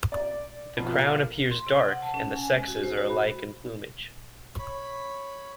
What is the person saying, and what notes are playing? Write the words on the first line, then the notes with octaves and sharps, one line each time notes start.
The crown appears dark and the sexes are alike in plumage.
D5
B2 F3
A#4 F5
C6
C3
F#5
A5
C#4
G#5
G#3
F#4
C5
F#4
B5
C#5 B5